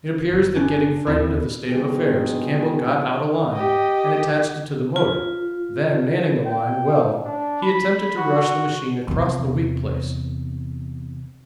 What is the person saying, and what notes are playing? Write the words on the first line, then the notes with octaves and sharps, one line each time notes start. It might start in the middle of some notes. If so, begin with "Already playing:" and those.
It appears that getting frightened of the state of affairs Campbell got out a line and attached it to the motor--then manning the line well he attempted to rush the machine across the weak place.
G1
C#4 D4
D1 D#2 C4 E4
A#1 B2 D#3 G#3 G#4
G4 D#5
F4
G5
D4
B5
F#4
E2 C3